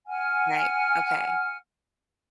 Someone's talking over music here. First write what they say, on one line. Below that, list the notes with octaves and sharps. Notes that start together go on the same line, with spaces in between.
Right, okay.
F#5 G#5 F6